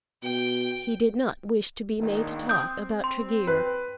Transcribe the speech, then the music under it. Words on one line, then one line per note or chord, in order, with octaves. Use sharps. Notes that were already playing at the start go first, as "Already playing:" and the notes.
He did not wish to be made to talk about Tregear.
B2 G5
A#1 D#3
C4 D#6 G6
C6
B4